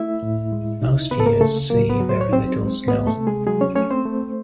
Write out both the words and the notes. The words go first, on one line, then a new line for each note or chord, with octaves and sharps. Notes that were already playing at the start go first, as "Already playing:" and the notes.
Most years see very little snow.
Already playing: A3 E4 E5
A2
G#3
D#4
C#3 B3 B4
A4
A#3 A#4
C#3 A3 A4
F#3 A#3 A#4
B3 B4
F#3
C5
C#5
C4 D#4 C5
G#3
A3 B3 B4
A3 A4
C3
G#3 G#4
F#3 G#3 G#4
C#4 C#5
A3 C#4 C#5
C4 C5
A3